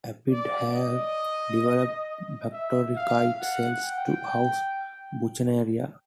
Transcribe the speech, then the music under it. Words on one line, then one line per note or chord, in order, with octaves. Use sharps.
Aphids have developed bacteriocyte cells to house "Buchnera".
D5
D#5
E5
F5
F#5
G5